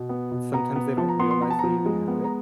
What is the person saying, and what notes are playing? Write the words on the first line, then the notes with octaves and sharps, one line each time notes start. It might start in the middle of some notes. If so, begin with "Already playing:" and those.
sometimes they don't realize they even have it,
Already playing: B2
B3
B2
B3 A#5
B3
F3 A5
A#5
B3 C6
C6
B3 A#5
A5
F3 A#5
G#3
B3
A#5